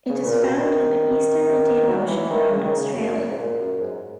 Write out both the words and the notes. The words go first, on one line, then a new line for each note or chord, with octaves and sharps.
It is found in the eastern Indian Ocean around Australia.
C#3
A#2
B2
D#3
F#3
E3
D#3
C#3
D#3
C#3
F#2
G#2
A#2
F#2
G#2